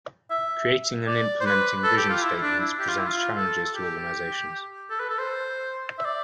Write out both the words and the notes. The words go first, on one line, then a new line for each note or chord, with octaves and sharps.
Creating and implementing vision statements presents challenges to organizations.
E5
D5
C5
B4
A4
G4
F4
E4
D4
E4
G4
F4
E4
F4
A4
G4
A4
B4
A4
C5
E5
D5